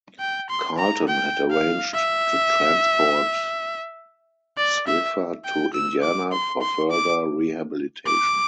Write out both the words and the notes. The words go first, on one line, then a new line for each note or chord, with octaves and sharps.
Carlton had arranged to transport Slifer to Indiana for further rehabilitation.
G5
C6
A#5
G5
F5
E5
D5
E5
G5
E6
D6
C6
C6
D6
D6